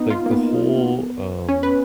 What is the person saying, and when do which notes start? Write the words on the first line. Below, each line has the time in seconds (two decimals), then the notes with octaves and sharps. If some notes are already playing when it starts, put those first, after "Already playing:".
like, the whole, um
Already playing: B3 D#4
0.10 F4
0.26 A#3
0.31 B3
1.49 C#4
1.63 B4